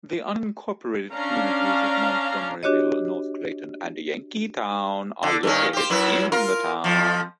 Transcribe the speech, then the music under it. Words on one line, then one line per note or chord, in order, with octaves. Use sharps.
The unincorporated communities of Montgomeryville, North Clayton, and Yankeetown are located in the town.
C#4 D4 F5 A#5
D4 F#4 G4 C#5 D#5
D3
G2 D#3 C#4
G4 C5
F#2 E4 B4
F4 A#4
F2 F3